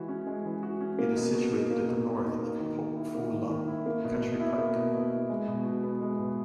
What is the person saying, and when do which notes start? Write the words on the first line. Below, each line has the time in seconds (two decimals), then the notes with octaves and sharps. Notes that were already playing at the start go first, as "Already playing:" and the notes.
It is situated at the north of Pok Fu Lam Country Park.
Already playing: E3 G#3 F#4
0.08 C#4
0.27 G#3
0.45 E3
0.63 F#4
0.81 C#4
0.99 A#3
1.17 B2
1.35 F#4
1.52 D#4
1.71 A#3
1.89 B2
2.07 F#4
2.25 D#4
2.42 A#3
2.60 D#3
2.78 D#3
2.96 E4
3.15 A#3
3.32 D#3
3.50 D#3
3.67 E4
3.86 A#3
4.04 B2
4.22 B2
4.40 E4
4.58 A#3
4.76 B2
4.93 B2
5.11 E4
5.30 G#3
5.48 B2
5.65 F#4
5.83 B3
6.01 G#3
6.19 B2